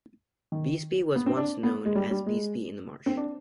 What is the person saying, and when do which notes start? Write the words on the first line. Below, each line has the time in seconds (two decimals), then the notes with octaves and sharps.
Beesby was once known as Beesby in the Marsh.
0.52 D#3
1.15 B3
1.26 C4
1.37 D4
1.63 B3
1.85 G#3
1.95 G3
2.11 G3
2.26 G#3
3.06 C4
3.17 D4